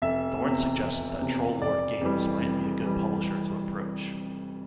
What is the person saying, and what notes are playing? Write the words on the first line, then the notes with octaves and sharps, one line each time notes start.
Thorne suggested that Troll Lord Games might be a good publisher to approach.
F1 E5
E2 C3
F1
E2 C3
F1 D5
F2 E3 G3
F1
E3 G3